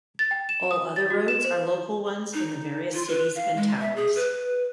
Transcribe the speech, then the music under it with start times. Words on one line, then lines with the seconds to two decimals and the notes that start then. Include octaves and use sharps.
All other roads are local ones in the various cities and towns.
0.19 A6
0.31 G5
0.49 E7
0.71 D#6
0.96 A6
1.10 F#4
1.28 E7
1.44 C5
2.34 D#4
2.94 F4
3.08 B4
3.35 F5
3.56 G#3
3.80 E5
3.96 G#4
4.15 B4